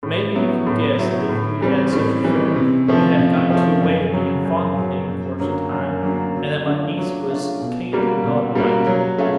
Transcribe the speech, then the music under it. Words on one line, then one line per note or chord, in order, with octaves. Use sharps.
Maybe you can guess that if you'd had such a friend, you'd have got into a way of being fond of him in course of time, and that my niece was kiender daughter-like to me.'
A2
F#3 B3 E4
A2
F#3 B3 E4
A2
E3 G3 C4
A2
E3 G3 C4
C3
F3 A3 C#4
C3
F3 A3 C#4
F#2
C#3 F#3
F#2
C#3 F#3
F#2
D3 F#3 A#3
F#2
D3 F#3 A#3
F#3
A3 D4 F4
F#3
A3 D4 F4
B2
G3 A#3 C#4 F#4
B2
G3 A#3 C#4 F#4
F#3
A3 C#4 F4 G#4